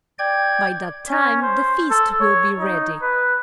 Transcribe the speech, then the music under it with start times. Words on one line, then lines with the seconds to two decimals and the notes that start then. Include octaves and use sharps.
By that time the feast will be ready.'
0.19 D5 G5 G#6
1.10 C#4
1.42 C5
1.91 A4
2.20 C#5
2.60 D#4
3.02 B4